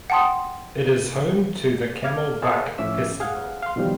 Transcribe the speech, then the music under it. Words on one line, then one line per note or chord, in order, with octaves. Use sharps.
It is home to the Carmel Bach Festival.
F#5 G5 A5 C6 D#6
D6 F6 G#6
G#4 A#4 C5 E5 A5
A2 F3 C#4 E5 D6 E6
G#4 F5 F#5
F5 C6
B2 D#3 F3 G3